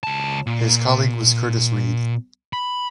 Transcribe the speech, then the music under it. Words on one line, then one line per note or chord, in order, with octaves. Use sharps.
His colleague was Curtis Reid.
C#2 A5
A#2
B5